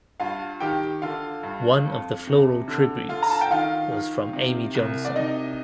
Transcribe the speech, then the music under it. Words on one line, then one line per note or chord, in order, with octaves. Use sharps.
One of the floral tributes was from Amy Johnson.
G2 F4 F5
D#3 G4 G5
D3 F4 F5
G2
F2
C3
D3
D3 F4 F5
A#5
A5
G5
D#3 F4 F5
D#3
C3
C2
D5
C3 D#4 D#5